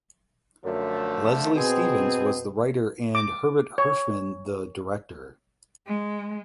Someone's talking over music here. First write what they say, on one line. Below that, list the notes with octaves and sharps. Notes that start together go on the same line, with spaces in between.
Leslie Stevens was the writer and Herbert Hirschman the director.
F#2 D3 F3 A3
B2 C4 G#4
D6
C#5
G#3